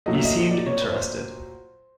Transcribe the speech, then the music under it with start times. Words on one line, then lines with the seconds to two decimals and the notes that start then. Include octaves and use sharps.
He seemed interested.
0.06 A#2 F#3 A3 D#5
0.15 E5
0.25 D#5
0.51 D5
0.66 C#5
0.81 B4
0.91 C#5
0.96 C5